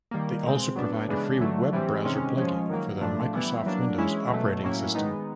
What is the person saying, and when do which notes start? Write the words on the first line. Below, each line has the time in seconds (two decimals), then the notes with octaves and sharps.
They also provide a free web browser plug-in for the Microsoft Windows operating system.
0.11 D#3 G3 A#3
0.43 B2 G#3 C4
0.76 F#3 B3 D4
1.08 C#3 E3 G#3 B3 D4
1.40 D3 F#3 A3
1.73 E3 G3 C4
2.05 C3 D#3 G#3 C#4
2.37 F3 G#3 C#4
2.69 D#3 F#3 A#3
3.01 A2 F3 A3 D4
3.34 E3 G3 B3 E4
3.66 F#3 A#3 D4
3.98 E3 G#3 C#4 E4
4.31 B2 F#3 A3
4.63 A2 F#3 A#3 C#4 E4
4.95 D#3 G#3 B3 D#4